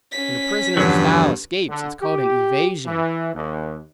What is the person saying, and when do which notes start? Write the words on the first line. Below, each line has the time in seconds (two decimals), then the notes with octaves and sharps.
When a prisoner of style escapes it's called an evasion.
0.12 C#4 B6
0.77 E2 G2 D3 F3 F#3
1.69 D3
2.02 G4
2.86 E3
3.34 D#2